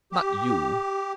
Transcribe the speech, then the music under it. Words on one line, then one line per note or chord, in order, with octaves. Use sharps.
Not you!
G4